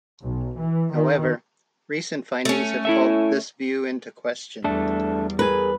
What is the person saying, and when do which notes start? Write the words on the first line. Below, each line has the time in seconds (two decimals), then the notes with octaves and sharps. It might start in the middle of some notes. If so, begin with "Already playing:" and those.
However, recent findings have called this view into question.
0.21 B1
0.58 E3
0.93 D#3
2.45 A3 C#4
2.85 E4 A4 E5
4.64 E2 G3 A3 D4 A4
5.39 G#4 A#4 B4